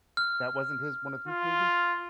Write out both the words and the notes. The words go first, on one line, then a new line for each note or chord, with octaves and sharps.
That wasn't his one of his movies?
F6
F4